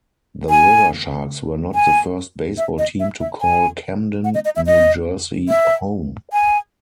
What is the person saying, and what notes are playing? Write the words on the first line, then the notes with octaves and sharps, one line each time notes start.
The Riversharks were not the first baseball team to call Camden, New Jersey home.
G#5
G#5
E5
D#5
E5
E5
G#5
F#5
D#5
D#5
E5
D#5
E5
G#5